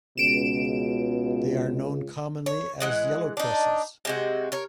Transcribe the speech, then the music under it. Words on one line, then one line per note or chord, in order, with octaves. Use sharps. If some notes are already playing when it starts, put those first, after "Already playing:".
They are known commonly as yellowcresses.
C#2 B2 D7 E7
C#5
E3 G#3 F#5
D4 D#4
C3 G#3 F#4
A#4 C#5